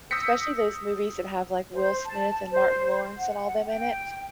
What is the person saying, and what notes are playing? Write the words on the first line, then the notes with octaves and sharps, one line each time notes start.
especially those movies that have, like, Will Smith and Martin Lawrence and all them in it.
D#6 E6 G6 A#6 B6 C#7
C5
A5
C5
F#5
G5